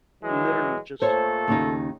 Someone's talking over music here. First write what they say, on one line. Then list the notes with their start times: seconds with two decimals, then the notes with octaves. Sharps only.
literally just,
0.23 E3 F#3 G#3
1.02 A#2 A3 A4 C5 C#5
1.48 D#2 C#3 D#4